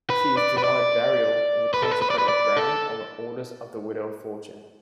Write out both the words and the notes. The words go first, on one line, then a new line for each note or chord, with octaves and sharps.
She is denied burial in consecrated ground on the orders of the Widow Fortune.
B4
D5
B4
D5
B4
A4
B4
B4
D5
B4
D5
A4